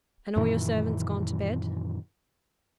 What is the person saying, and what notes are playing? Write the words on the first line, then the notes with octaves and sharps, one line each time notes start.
"And all your servants gone to bed?"
F#2 A#2 D#3 E3